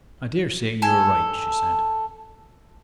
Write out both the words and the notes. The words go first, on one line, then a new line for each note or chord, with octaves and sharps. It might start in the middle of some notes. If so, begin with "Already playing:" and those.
"I daresay you are right," she said.
A4 G#5